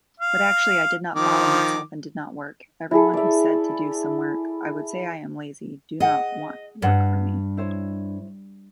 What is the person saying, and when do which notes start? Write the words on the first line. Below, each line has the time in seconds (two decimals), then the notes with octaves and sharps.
But actually I did not bother myself and did not work, everyone who said to do some work, I would say I am lazy, do not want work from me.
0.20 F5
1.15 D#3 F3 D6
2.91 E4 G#4 A4
3.13 D5 E5
6.00 G#4 D#5 F#5 G5
6.82 G2 B4 F#5
7.57 E4 C5 C#5